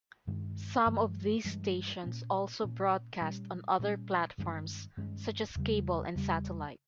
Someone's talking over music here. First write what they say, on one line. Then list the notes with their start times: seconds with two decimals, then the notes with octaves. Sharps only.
Some of these stations also broadcast on other platforms such as cable and satellite.
0.27 G2 D#3 G#3
0.86 G2 E3 G#3
1.44 G2 E3 G#3
2.03 A#2 A#3 C#4
2.62 A#2 A#3 C#4
3.21 A#2 G3 C#4
3.79 A#2 G3 C#4
4.38 G2 D#3 G#3 C#4
4.97 G2 D#3 G#3 C#4
5.55 E2 C#3 G3
6.15 E2 C#3 G3